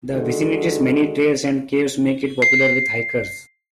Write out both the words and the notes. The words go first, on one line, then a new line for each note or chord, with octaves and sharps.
The vicinity's many trails and caves make it popular with hikers.
D3 D#3 G#3 F#4 A4
C7